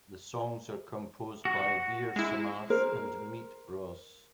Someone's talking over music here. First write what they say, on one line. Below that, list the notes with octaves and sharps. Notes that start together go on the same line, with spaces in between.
The songs are composed by Veer Samarth and Meet Bros.
F#4
G#3 E4
A#4 C5